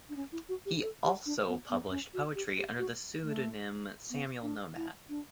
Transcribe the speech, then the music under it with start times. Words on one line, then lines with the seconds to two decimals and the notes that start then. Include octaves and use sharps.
He also published poetry under the pseudonym Samuel Nomad.
0.09 D4
0.16 C#4
0.32 E4
0.49 F#4
0.66 G4
0.82 A4
1.04 G4
1.26 D4
1.47 B3
1.70 B3
1.91 C#4
2.14 F#4
2.35 G4
2.57 G4
2.79 F#4
3.23 A3
4.10 B3
4.43 D4
4.76 E4
5.09 D4